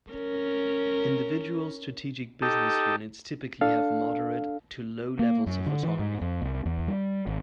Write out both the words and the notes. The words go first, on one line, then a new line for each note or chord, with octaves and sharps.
Individual strategic business units typically have moderate to low levels of autonomy.
C#4 A#4
D#4 G4 A4
D4 A4 F5
A#3
F#2
D3
E3
G#2
F2
C2
E2
G3
G#1